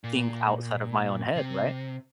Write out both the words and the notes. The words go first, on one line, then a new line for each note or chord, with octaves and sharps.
think outside of my own head," right?
A#2
C3